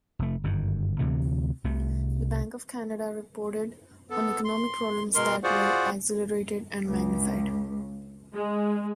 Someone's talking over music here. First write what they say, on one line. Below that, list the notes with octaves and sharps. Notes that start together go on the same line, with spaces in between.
The Bank of Canada reported on economic problems that were accelerated and magnified.
F1 A3
G1 F#2 D#3
D2 C3 E3 A3
C2 C3 A3
B3 A4
C6
B2 G#3 A#4 C6
F4 F#4 G#4 C5 D5 F#5
C#2
G#3